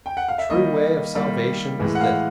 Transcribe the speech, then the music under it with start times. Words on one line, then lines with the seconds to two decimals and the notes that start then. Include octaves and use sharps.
The true way of salvation is this.
0.06 G5
0.17 F#5
0.28 F5
0.38 E5
0.49 D#3 G3 A#3 D#5
1.14 D#3 G3 A#3
1.79 A2 E3 G#3
1.95 F#5
2.01 F5